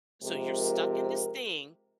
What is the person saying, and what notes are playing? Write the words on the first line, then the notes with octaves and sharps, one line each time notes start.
So you're stuck in this thing
C3 F3 G#3 A#4